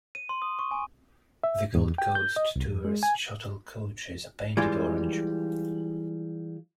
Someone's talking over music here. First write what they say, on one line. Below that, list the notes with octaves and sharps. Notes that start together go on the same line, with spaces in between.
The Gold Coast Tourist Shuttle coaches are painted orange.
D#7
C6
D#6
C#6
G#5
E5
E2
G5
G6
D#5
C2
F2
G#3
G#5
E3 G3 G#3 F4